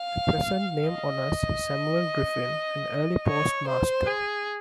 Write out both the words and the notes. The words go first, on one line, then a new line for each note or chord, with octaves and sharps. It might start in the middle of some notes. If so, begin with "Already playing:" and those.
The present name honors Samuel Griffin, an early postmaster.
Already playing: F5
D#5
C#5
C5
G#4